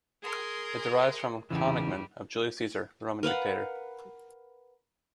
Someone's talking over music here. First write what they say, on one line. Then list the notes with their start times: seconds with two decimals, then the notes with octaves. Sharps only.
It derives from the "cognomen" of Julius Caesar, the Roman dictator.
0.23 G#4 A#4 C6
1.50 E2 C#3 E3 G3
3.23 A#4 B4 F5 F#5